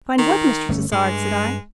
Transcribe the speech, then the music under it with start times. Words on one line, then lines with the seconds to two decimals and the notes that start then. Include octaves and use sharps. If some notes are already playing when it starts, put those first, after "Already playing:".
"Find what, Mr. Tassard?" said I.
0.19 D#3
0.69 G1 A3 C#4
0.92 G2 G#3